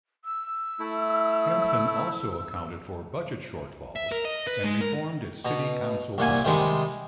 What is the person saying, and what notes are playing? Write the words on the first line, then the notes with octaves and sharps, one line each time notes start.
Hampton also accounted for budget shortfalls, and reformed its city council proceedings.
E6
A3 E4
E5
A#4
D#5
B4
G#3
A#4
B2 A#5
C2 A#2 F#5 G#5
C3 D#3 G3 G#3